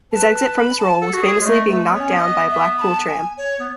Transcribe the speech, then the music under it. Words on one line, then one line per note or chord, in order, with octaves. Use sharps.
His exit from this role was famously being knocked down by a Blackpool tram.
B4 A5
A5
B5
A5
A4 F#5
F#4
G#4 C#5
G#3
A3 D#5
A3 B4
B3 C#5 D#5
C#4
B3
D#5
E5
B5
A5
G#5
C#5
B3